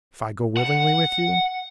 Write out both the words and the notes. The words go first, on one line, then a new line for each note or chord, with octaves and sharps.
"If I go willingly with you?"
F#5